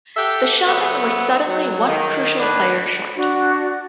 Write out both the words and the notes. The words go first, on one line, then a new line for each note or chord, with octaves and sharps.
The Shamen were suddenly one crucial player short.
G4 A4 E5 F#5 G5
C#3 F#3 A3 B3 C4
F#3
D#3
A2 D#3 D4 B4
D4 F#4